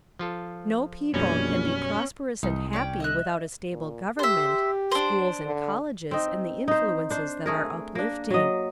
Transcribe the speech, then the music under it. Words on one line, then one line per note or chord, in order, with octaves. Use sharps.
No people can be prosperous and happy without a stable government, schools and colleges and the influences that are uplifting.
F3 F4 A4
A#1 F#2 B2 G3 C#4
C2 D#4
C#4 D5 G5
D#5 E5 F#6
A#2
G4 C5 E5
D4 C5
D3
C4 D#4
D#4 C5
D4 C5
A3 G#4 A#4
A#3 D4
F#3 D#5